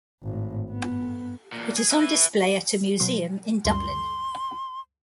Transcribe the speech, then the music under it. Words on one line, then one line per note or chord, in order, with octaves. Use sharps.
It is on display at a museum in Dublin.
G#1 A2
G2 B3
E2 A#2
G#4
B4 E5
B2 F#3 C6
C#2 F#2 G3 C6